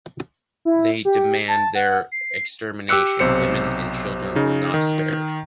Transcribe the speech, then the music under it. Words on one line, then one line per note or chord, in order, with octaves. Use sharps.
They demand their extermination, women and children were not spared.
E4
G4
A5
F#5
C7
G4 D6 E6 F#6 C#7
B1 C3 C5 C#7
C#3 D#4
D#3